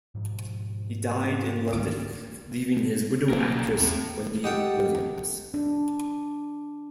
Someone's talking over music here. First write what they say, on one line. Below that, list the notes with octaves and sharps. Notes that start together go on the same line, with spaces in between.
He died in London leaving his widow actress Wendy Williams.
G#2 B2 F3
B1 A#2 C#3 F3 A#4
E2 A2 B3 C4
G4 A4 D#5 F#5 G5
D4